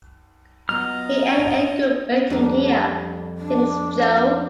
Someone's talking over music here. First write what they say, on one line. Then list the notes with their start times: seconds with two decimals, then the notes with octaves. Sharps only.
"It ain't any good waiting here," thinks Jo.
0.69 F#3 B3 F4 D#5 A#5 F6
2.30 F2 G3 D4 A#4
3.37 D4
4.07 B3 F4 A4